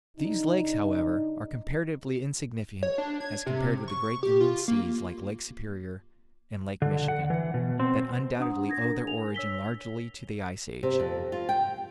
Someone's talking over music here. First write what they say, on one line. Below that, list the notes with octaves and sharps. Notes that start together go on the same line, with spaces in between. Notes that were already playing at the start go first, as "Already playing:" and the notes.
These lakes, however, are comparatively insignificant as compared with the great inland seas like Lake Superior and Lake Michigan, that undoubtedly owe their origin largely to the ice age.
C#3 D4 D#4
C#5
D4
G#6
C3
C#6
G4
F4
A#3
D3
F#5
E3
B2
C4
D4 F#5 A#5 D#6
G#6 A#6
D4 A#4
G#5 F7
C#5 E6 B6 G7
C3
F2
F4
G5